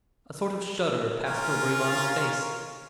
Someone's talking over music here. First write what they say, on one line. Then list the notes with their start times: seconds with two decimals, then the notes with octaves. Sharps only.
A sort of shudder passed over Ivan's face.
1.24 C#4 F4 A#4